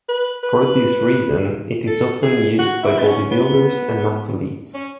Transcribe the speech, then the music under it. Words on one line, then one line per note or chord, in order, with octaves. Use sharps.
For this reason, it is often used by bodybuilders and athletes.
B4
B4
A4
G#4
F#4
E4
B3
C#4
B3
C#4